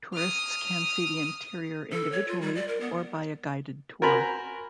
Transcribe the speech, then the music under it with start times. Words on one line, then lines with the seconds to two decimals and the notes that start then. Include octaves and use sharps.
Tourists can see the interior individually or by a guided tour.
0.15 D#6 F6
1.92 A4
2.12 C#5
2.28 F4
2.41 G3
2.56 D5
2.68 A#4
2.81 B3
4.02 F#4 A#4 C5 G#5 A#5 B5